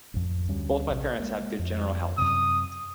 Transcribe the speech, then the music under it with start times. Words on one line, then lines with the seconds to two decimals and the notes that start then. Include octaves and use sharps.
Both my parents have good general health.
0.14 A1 F2
0.48 D2 G3 C#4
0.90 A#1 C3
1.20 G#3 A#3
1.59 F2
2.18 F#2 C3 D#6